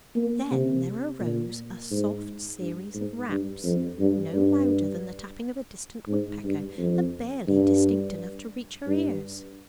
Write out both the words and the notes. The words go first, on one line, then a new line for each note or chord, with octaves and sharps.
Then there arose a soft series of raps, no louder than the tapping of a distant woodpecker, and barely distinct enough to reach her ears.
A#3
C3
A#2
G#2
G2
G#2
G2
F2
G2
G2
G#2
G2
F2
G2
G2